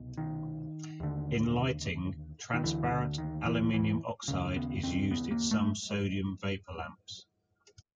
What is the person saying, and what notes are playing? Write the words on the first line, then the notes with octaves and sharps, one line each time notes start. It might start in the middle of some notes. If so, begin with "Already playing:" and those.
In lighting, transparent aluminium oxide is used in some sodium vapor lamps.
Already playing: C2 B2
D#3
D#2 D3
D#3
D2 D3 E3
D3
D#3
E3
E3
D#2 C#3
B3
C4
B3
A#3
A3